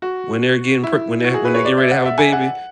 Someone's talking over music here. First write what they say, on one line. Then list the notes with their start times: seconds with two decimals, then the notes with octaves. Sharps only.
when they're getting pre when they're when they're getting ready to have a baby.
0.02 F#4
0.84 E4
1.24 F#4
1.34 G#4
1.45 B4
1.54 C#5
1.65 D5
1.77 E5
1.91 F#5
2.05 E5
2.18 G#5
2.33 F#5